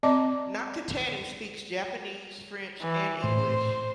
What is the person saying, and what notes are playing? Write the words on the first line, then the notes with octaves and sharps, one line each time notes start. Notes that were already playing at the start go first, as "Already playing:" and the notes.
Nakatani speaks Japanese, French, and English.
C4 D5 D#5 A5 D6
E3
A2 C5